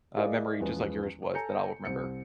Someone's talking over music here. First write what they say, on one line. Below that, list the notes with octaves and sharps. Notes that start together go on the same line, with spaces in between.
uh, memory just like yours was that I'll remember.
E4 G#4 A#4 D5 D#5 F5
E2 F3 G#3 B3 C#4
C#5
A4 G#5 A#5 G6 C#7
C2 C4 C#7